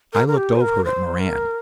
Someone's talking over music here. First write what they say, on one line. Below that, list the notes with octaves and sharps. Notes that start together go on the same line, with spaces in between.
I looked over at Moran.
A#4
A#4
G4
C5
A#4
C5
A#4